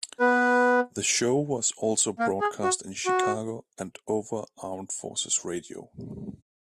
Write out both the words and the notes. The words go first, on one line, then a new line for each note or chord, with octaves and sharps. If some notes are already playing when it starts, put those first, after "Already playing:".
The show was also broadcast in Chicago and over Armed Forces Radio.
B3 B4
A#3 A#4
G#4
F#4
F#4